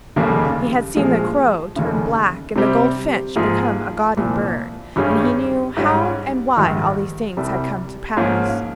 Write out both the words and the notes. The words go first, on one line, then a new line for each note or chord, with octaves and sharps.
He had seen the Crow turn black and the Goldfinch become a gaudy bird, and he knew how and why all these things had come to pass.
F1 D#2 C#3 G3 A#3
A#1 A#2 F3 G#3
F1 D#2 C#3
C3 G3 C4 G4
G#2 F3 A#3 F4 G#4
C2 A#2 F3
G#1 G2 G3 C#4 G#4
G#2 G3 C#4
A#1 G#2 D#3 G3
C2 C3 G3
G#2 F3 A#3 C#4